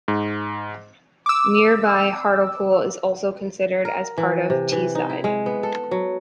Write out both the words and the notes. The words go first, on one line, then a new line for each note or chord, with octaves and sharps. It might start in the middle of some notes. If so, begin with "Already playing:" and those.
Nearby Hartlepool is also sometimes considered as part of Teesside.
G#2
D6 E6
A#4
E3
C3
E3
D#4
E4
G#3
B3
A4
F#3